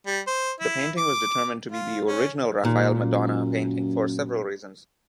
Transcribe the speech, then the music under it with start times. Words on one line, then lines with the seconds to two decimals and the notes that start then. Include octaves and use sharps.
The painting was determined to be the original Raphael Madonna painting for several reasons.
0.07 G3
0.27 C5
0.60 E4
0.98 D6
1.71 F4
2.07 C#4
2.65 D#2 A#2
3.01 F#2